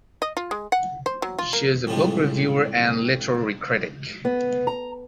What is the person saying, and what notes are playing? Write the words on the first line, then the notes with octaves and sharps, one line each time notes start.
She is a book reviewer and literary critic.
D#5
F4
G#3
F#5
C5
F#3
F4
A#3
F2 A2 C3 F3 G3 G#3
B3
A#5